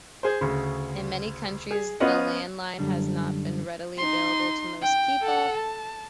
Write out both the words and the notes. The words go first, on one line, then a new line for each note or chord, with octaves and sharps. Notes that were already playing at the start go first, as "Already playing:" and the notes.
In many countries the landline has not been readily available to most people.
G#4 C5
D2 C#3
G#4
B3 C#4 F4 D#5 F#5
F#2 D3 G3
D#4 C6
G5
A4 F#5
A5